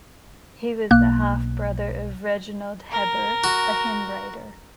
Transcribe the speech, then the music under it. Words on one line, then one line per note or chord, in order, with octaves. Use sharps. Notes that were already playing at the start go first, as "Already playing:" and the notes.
He was the half brother of Reginald Heber, a hymn writer.
B1 A#3 F#6
A#4
F#4